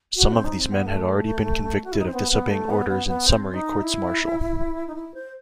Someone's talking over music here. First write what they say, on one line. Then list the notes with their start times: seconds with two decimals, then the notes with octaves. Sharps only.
Some of these men had already been convicted of disobeying orders in summary courts-martial.
0.16 F#4
0.32 C4
0.44 D#4
0.58 C4
0.72 B3
0.86 A3
1.84 F#4
1.92 E4
1.99 D#4
2.06 C4
2.14 B3
2.32 B3
2.50 A3
2.70 B3
2.89 B3
3.08 B3
3.27 C4
3.54 D#4
3.82 E4
4.87 D#4
4.95 E4
5.14 C5